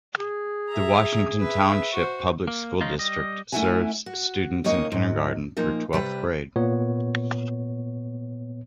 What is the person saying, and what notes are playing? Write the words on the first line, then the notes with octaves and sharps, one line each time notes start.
The Washington Township Public School District serves students in kindergarten through twelfth grade.
G#4
E5 A#5
B4 E5
F#4 C5
A#3
F3 G#3 C#4 D#4 F4
G3 D#5
A3 C#4 E4 E5 F#5 G#5
F#4
D#2 C#3 A#3 C#5 D#5
G#2 F#3
A#2 F3 A#3 D#4
C3 G3 B4
A#2 B3 C#5